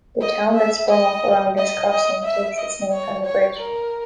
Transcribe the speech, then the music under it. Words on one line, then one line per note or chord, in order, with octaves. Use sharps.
The town that sprung up around this crossing takes it name from the bridge.
D#5
E5
D#5
D#5
D#5
E5
D#5
C#5
C#5
A#4